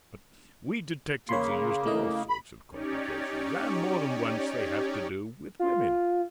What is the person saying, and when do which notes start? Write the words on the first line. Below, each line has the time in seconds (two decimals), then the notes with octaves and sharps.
But we detectives are used to all sorts of complications, and, more than once, they have to do with women.
1.29 C#3 A#3 C#5 B5 C6
1.86 A3 E4 D#5
2.29 B5
2.71 C#4 D#4 G4 C#5 D5
5.59 F4